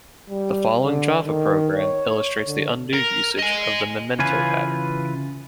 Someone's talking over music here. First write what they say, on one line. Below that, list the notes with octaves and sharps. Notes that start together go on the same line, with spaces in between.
The following Java program illustrates the "undo" usage of the memento pattern.
G3
D3
D#3
C#5
D3
A#4
D#5 G#5
C#3 E3 F4 B4 G#5